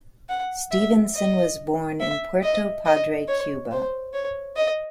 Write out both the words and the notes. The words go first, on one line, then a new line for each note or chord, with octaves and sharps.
Stevenson was born in Puerto Padre, Cuba.
F#5
E5
D#5
E5
D#5
D#5
C#5
C5
C#5
D#5